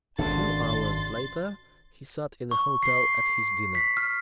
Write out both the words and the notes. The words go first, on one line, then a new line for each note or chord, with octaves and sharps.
A few hours later, he sat in a hotel at his dinner.
G#1 C#3 D4 F#4 A4 C6 A6
C#6
C7
B6
F6